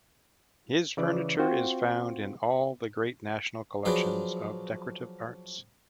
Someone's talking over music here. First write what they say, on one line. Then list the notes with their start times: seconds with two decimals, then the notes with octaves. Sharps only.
His furniture is found in all the great national collections of decorative arts.
0.97 C#3 E3 D5
1.39 C4 F4 F#4 C5 G5
3.85 F3 F#3 G#4 B4 D5